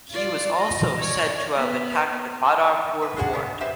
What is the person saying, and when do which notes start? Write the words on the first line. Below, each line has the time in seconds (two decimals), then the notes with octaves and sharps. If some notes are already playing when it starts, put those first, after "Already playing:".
He was also said to have attacked the Badarpur Fort.
0.11 F4 D5
0.59 D#5
1.00 C#5 D5
1.55 B3
3.02 B4
3.16 G#3 D4 F#4 G#4 C#5 F#5
3.33 C#3 B3
3.60 F2 G4 B4 C5 E5